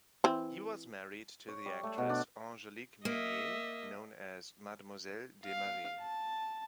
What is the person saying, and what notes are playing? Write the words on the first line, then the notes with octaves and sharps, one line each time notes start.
He was married to the actress Angélique Mesnier, known as Mademoiselle Desmarest.
E3 C4
C#5
G3
A3
B2
D4
A#3 D#5 E5
F5
A5